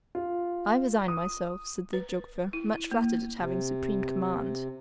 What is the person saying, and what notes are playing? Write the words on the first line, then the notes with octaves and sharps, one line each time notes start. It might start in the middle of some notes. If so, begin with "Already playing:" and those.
"I resign myself," said the geographer, much flattered at having supreme command.
F4
D#6
B4
E4
A#3
C3